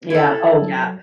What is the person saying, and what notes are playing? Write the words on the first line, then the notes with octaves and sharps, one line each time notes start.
Yeah oh, yeah.
E4 A4
F#3